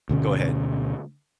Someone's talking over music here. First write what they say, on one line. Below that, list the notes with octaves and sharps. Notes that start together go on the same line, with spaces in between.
Go ahead.
D2 B2 D3 C#4